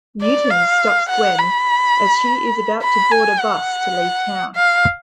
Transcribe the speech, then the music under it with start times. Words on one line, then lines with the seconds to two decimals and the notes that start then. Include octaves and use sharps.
Newton stops Gwen as she is about to board a bus to leave town.
0.22 D5
0.50 F5
1.09 F#5
1.38 B5
2.82 B5
3.11 G#5
3.40 F#5
4.55 F5